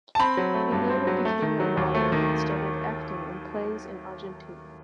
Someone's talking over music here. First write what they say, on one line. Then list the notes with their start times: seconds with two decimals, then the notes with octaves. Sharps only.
He later became a model and started acting in plays in Argentina.
0.15 A5
0.19 C4 B5
0.37 F#3
0.54 A3
0.72 G2
0.90 C4
1.07 F#3
1.25 A3
1.42 D#3
1.60 F#3
1.77 D#2
1.95 A3
2.12 D#3